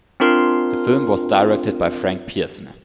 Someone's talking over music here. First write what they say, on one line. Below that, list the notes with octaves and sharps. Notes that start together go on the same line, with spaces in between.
The film was directed by Frank Pierson.
C4 D4 F4 A#4 C6 F6